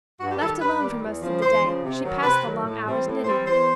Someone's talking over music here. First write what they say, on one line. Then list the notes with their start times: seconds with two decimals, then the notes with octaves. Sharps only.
Left alone for most of the day, she passed the long hours knitting.
0.20 G2 F#4
0.31 G4
0.40 D#3 G3 A4
0.61 G2 B4
0.81 D#3 G3
1.02 E2
1.22 C#3 F3
1.42 E2 C5
1.62 C#3 F3
1.83 C3
2.03 D#3 F#3
2.23 C3 B4
2.43 D#3 F#3
2.64 A2
2.84 E3 G3 C4
3.05 A2
3.24 E3 G3 C4 C5
3.46 E2 C5